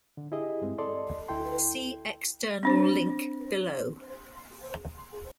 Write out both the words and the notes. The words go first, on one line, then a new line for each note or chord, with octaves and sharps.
See external link below.
D3
E4 G4 G#4 D#5
G2 G#3 C4
A4 D5 D#5 C6
D2 E4 A4 G5 C6
C4 D4 C5